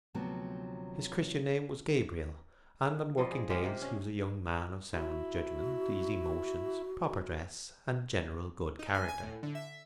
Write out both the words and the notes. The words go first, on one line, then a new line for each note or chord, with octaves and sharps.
His Christian name was Gabriel, and on working days he was a young man of sound judgment, easy motions, proper dress, and general good character.
D2 C3 F3 F#3 B3
F3 G3 D#5
G#4
G#3 A#3 G4 D#5
C3 A#3
C#4
E4 F#4
D#4
G#5
G#5
A2
D3
E5